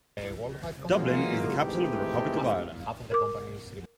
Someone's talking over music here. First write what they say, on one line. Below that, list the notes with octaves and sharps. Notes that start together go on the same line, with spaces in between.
Dublin is the capital of the Republic of Ireland.
F#2 F#3 G#3 A#3 E4 F4
D#3 E3 G#3 A3 C4 G4
A#4 D6